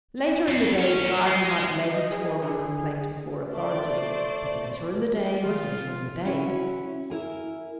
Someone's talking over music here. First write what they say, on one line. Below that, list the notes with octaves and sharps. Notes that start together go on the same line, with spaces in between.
Later in the day the gardener might lay his formal complaint before authority, but later in the day was later in the day.
F2
C#4
A#2
G#3
D#5
G#4
D3 G#4
A3 C5 D5
D#3 F3 B3 F4
C#4 E4 F#4 C#5
E4 A#4 G#5